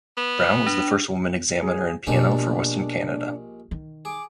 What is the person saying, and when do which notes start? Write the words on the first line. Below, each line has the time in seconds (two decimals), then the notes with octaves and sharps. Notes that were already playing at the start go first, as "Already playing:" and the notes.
Brown was the first woman examiner in piano for Western Canada.
0.18 B3
0.67 D4
1.62 G#4
2.07 A#1 B2 G#3 B3 D4 G4
3.71 D#3
4.05 G#4 D6